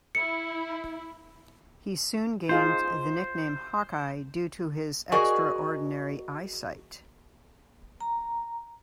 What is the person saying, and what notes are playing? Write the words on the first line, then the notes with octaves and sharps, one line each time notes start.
He soon gained the nickname "Hawkeye" due to his extraordinary eyesight.
E4 C#7
D#4 F4 G#4 C5
F#4 G#4 A#4 D5 D#5 G#5
A#5